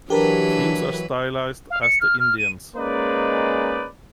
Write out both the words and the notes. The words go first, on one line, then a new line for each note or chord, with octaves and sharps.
Teams are stylized as the Indians.
E3 F#3 D4 G4 A#4 B4
F5
C#7
F6
F6
D#7
G#3 A#3 C#4 D#4 B4 D5